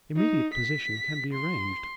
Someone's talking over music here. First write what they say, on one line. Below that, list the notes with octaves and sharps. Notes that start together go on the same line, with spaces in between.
Immediate possession can be arranged.
D#4
B6
C6